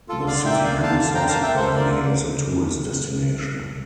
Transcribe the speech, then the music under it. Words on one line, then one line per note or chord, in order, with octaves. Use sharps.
The city grew subsequently as a tourist destination.
F4 A4
D3
D5 F5
A#3 E5 G5
D5 F5
D3
F5 A5
D3 F5 A5
G5 A#5
A#3 F5 A5
E5 G5
A#3 A4 C5
A#4 D5
D3